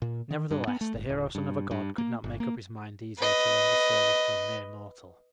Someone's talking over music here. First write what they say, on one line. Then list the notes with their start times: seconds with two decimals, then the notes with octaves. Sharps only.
Nevertheless the hero son of a god could not make up his mind easily to render service to a mere mortal.
0.02 A#2
0.31 D#3
0.51 G2
0.67 B3
0.81 A3
0.94 G1
1.09 D1
1.35 G2
1.71 G2
1.98 A#3
2.24 G1
2.40 A#3
3.18 B4 D#5